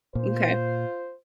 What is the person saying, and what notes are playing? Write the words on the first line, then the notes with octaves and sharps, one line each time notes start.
n okay.
A#2 F4 C5